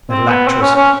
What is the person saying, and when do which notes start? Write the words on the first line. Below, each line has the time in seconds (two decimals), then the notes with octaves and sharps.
Little actress!
0.10 C4
0.28 B3
0.48 C4
0.62 C#4
0.76 C#4